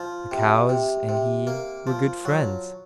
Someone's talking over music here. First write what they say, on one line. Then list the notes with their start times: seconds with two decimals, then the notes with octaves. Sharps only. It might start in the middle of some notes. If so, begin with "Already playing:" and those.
The cows and he were good friends.
Already playing: F3
0.31 C3
0.69 C3
1.09 C3
1.47 A#3
1.87 F3
2.25 F#3